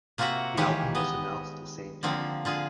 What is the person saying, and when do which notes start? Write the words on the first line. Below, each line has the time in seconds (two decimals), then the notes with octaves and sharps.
The album was announced the same day.
0.18 C3 A#3 F4 F#4 E5 F#5
0.57 D#3 E3 G#3 A#3 G4 C#5
0.95 B3 D#5
2.03 D3 F3 A#3 C4
2.45 D3 F4 G#4